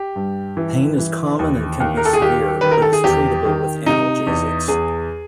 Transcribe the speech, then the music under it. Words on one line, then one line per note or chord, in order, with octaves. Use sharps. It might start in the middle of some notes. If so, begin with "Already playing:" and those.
Pain is common and can be severe, but is treatable with analgesics.
Already playing: G4
G2
E3
E3
D#2
D#2
A#4
A4
G#4
D#3 G4
D#3 B4
A#4
A4
G#4
E2 G4
D#3
C3 D#4
E2
E2 G#4